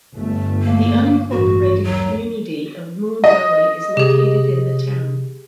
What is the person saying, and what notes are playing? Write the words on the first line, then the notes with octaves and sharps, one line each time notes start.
The unincorporated community of Moon Valley is located in the town.
G1 A3
A#3
A1 G2 F#4
D#2 F#3
D#5
C3 G4 G#4